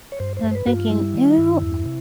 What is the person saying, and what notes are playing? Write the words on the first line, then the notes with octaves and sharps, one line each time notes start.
and I'm thinking, "Ew!"
C#5
G2 C5
C5
G2
C5
B4
G2 F#4
F4
G3 E4
D#3
G2
E2
C3